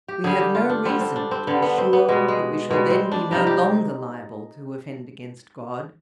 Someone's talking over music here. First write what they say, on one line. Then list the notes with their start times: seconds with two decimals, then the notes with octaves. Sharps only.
We have no reason to be sure that we shall then be no longer liable to offend against GOD.
0.08 G4
0.24 D3 G3 G#4
0.39 G4
0.55 F4
0.69 D4
0.85 D3 G3 C4
1.01 C4
1.16 D4
1.31 C4
1.47 D3 G3 B3
1.62 B3
1.78 C4
1.93 B3
2.08 B2 G3 G#3
2.28 G#3
2.71 B2 G3 G#3
2.90 C4
3.12 D4
3.31 C3 G3 D#4
3.47 G4